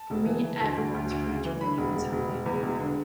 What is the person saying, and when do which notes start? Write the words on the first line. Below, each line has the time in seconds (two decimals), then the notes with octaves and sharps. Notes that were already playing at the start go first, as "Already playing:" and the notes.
For me everyone's free to believe in something.
Already playing: A5
0.10 E1
0.26 E3
0.44 E3
0.61 D2
0.78 D2
0.94 D2
1.11 D2
1.28 C#3
1.45 E3
1.61 D3 B5
1.78 E1
1.96 E1
2.12 E1
2.29 E1
2.46 E2
2.63 E1
2.80 D3